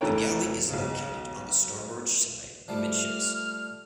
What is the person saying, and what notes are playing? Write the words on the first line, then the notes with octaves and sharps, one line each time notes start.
The galley is located on the starboard side amidships.
F1 E3 A4 A#4 C#5 G5
B1 C#3
F3 G3 A3 F6